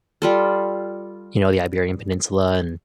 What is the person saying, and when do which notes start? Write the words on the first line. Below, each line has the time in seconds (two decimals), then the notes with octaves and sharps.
you know, the Iberian Peninsula and
0.22 G3 F4 A4